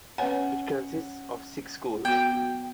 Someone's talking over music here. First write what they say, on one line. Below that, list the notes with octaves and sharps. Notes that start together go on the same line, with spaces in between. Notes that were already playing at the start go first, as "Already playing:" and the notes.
It consists of six schools.
C#4 B4 C#5 F#5 G#5
B3 F#4 G5